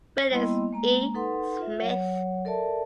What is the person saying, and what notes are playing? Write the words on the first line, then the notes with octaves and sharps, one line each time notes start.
Willis E. Smith.
G3 A#3 B3 E4 D#5 C6
G#3 A#3 A#5
D#4 A4 B4 F#5 C6
F4 E5
F#3 C#5 F#5
A4 A#4 D5 E5 A5